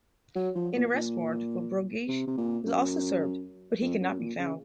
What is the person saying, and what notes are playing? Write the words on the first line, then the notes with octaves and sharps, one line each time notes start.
An arrest warrant for Borghese was also served, but he could not be found.
F#3
F3
A#2
A#2
C3
C3
A#2
F#2
F2
F#2
A#2
C#3